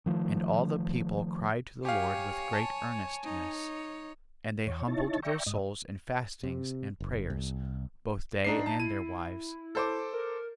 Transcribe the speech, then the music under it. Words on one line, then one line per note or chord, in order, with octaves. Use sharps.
And all the people cried to the Lord with great earnestness, and they humbled their souls in fastings, and prayers, both they and their wives.
D#3 F3 A3
G4 C#5 F5 G#5
A5
D#4 C#5
E2 C#5
D#4 E4 C#5 A5
D5 E5 G5 A#5 C#6
G#2 D#5
C3
F#1
C2
G#2 D4 C7
D#4 A5
E4 D#7
A4 C5 D6
A#4